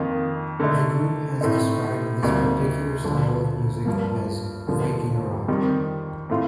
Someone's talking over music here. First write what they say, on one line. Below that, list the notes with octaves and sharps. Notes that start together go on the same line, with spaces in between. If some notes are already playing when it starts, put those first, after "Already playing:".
The group has described this particular style of music as "Vikingarock".
Already playing: F2 D#3 A#3 F4
D3 A3 D#4
A2 A3 C4 D#4
D2 C3 G3 A#3 D#4
D2 D3 F3
G2 F3 A#3
D#2 D3 F3 A#3
F2 D#3 G3 C4
A2 A3 C4 F4